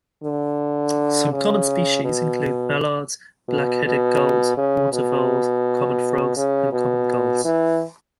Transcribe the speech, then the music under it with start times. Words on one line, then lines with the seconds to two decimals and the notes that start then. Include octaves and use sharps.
Some common species include mallards, black-headed gulls, water voles, common frogs and common gulls.
0.24 D3
1.32 C#3
2.04 B2
3.48 B2
3.84 B2
4.57 C#3
4.92 B2
6.37 C#3
6.72 B2
7.45 E3